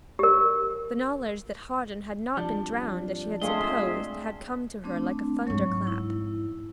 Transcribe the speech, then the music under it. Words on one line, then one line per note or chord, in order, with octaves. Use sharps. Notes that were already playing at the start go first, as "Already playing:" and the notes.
The knowledge that Hawdon had not been drowned as she had supposed, had come to her like a thunderclap.
G4 A#4
F2 F3 G3 D4
G#3 A3 C4 D4 F4 G#4 D#5 E5
A3 C4 D4
F2 G#2 F#3 C#5 C#6
E4